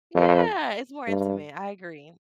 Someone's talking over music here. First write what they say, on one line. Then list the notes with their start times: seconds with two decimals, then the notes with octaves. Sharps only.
Yeah, it's more intimate, I agree.
0.15 F2
1.07 G2